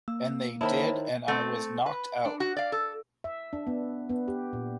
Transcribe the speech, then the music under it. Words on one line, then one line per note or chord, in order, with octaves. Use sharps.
And they did, and I was knocked out.
A#3 E6
D#3 D#4 E4 C5 C#5 A5 B5
A3 C4
B4
D4
F#4
D5 F5
A4
E5
D4
B3
B3
G4
A#2